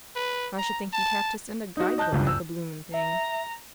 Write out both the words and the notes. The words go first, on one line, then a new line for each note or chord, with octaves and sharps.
"I should think he'd have to send a guidebook with the bloomin' thing."
B4
A#5
A5
D#4 F#4
D#5 A5 F#6 G6
F#1 C#2 G2
E6
E5 A#5